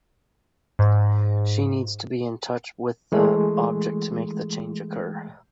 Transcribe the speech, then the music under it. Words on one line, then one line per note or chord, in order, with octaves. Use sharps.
She needs to be in touch with the object to make the change occur.
G#2
E3 G#3 A3